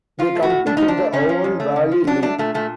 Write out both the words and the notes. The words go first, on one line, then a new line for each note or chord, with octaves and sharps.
They compete in the Avon valley league.
F3 F4
A3
F#4
A2
A2 D4
F3 D#4
D4
A3
C#3 C#4
F3
F2
A3
C#3
F3
F#3 D4
A3 D4
A#2 A3
A#2 A3